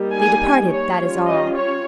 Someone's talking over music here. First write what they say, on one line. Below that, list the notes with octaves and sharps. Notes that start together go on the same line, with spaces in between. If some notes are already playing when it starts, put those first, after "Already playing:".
They departed, that is all.
Already playing: G3 A#3 D#4
G#5
C#5
G3 C#4 F4
D#5
C#5